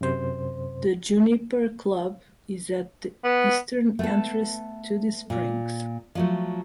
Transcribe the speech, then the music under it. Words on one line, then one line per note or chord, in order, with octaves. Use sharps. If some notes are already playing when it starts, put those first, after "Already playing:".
The Juniper Club is at the eastern entrance to the springs.
F#2 C3 C5
B3
A3 B3 A4
A#2
F3 F#3 A3